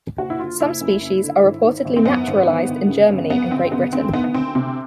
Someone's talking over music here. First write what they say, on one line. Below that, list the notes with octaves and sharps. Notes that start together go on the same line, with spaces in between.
Some species are reportedly naturalised in Germany and Great Britain.
F#1 F#4
E4
D3 F4
F#1 E4
F#2
F#1
D3
G#1
D#3
G#1
C4
F#2 B3
G#1
D#3
G1
C#3
G1
F#2 B3
G1 C4
C#3 B3
D2 C4
D#3 B3
B3
D2 C4
C3 C4